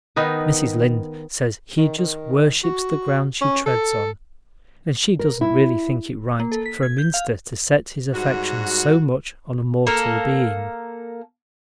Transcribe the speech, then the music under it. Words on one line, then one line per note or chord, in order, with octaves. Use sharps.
Mrs. Lynde says he just worships the ground she treads on and she doesn't really think it right for a minister to set his affections so much on a mortal being.
D#3 B3 D#4 B4
D#3
D#3
F#4
C#4
A4
A#4
E4
A#3
A4
B6
G#6
G6
F5
G#2 G3 F#4
A#3 A4 A#4